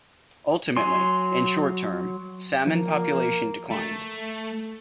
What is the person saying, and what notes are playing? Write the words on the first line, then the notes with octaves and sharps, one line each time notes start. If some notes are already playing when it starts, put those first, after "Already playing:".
Ultimately, in the short term, salmon population declined.
F#3 G#5 C6
F3 A#3
A3